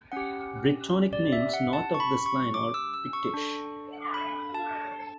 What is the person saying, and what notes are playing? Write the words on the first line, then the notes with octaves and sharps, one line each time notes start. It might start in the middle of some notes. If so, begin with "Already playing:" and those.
Brittonic names north of this line are Pictish.
C#4 G4 F#5
D5
E5
F#5
A5
C#6
B5
C#6
D6
E6
E6
C#6
D4 A4
B5
A5